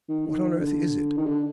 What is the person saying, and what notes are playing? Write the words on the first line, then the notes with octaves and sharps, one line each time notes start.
"What on earth is it?"
D#3
D#3
D3
D#3
D3